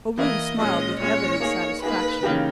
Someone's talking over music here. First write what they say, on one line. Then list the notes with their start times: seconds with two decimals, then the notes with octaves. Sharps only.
O'Roon smiled with evident satisfaction.
0.18 E3 A#3 E4 D#5
0.58 A#2 G#3 C#4 D#5
1.00 A#2 G#3 C#4 C#5
1.40 A#3 D#4 G#4
1.81 A#3 D#4 G#4 B4
2.23 C#3 E3 A#3 D#4 G4